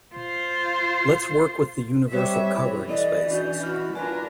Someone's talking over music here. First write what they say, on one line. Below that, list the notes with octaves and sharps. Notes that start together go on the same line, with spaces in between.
Let's work with the universal covering spaces.
F4 C5
G3 C4 G4 C5 C#5 E5
E3 E4
A4 D5 D#5
C#4 D4 F#4 G6
E4 F#4 F6
D4 F4 A#4 B4 G#5